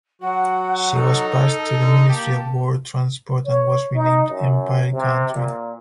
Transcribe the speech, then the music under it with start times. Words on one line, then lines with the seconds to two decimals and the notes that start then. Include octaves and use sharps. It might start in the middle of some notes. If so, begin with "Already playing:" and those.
She was passed to the Ministry of War Transport and was renamed "Empire Gantry".
0.22 F#3 F#4 F#5
0.94 D#4 A4
1.78 D3
2.09 A#3 G4 A5
3.46 C#5
3.96 D#4
4.30 F#2
4.93 C3
5.35 A#2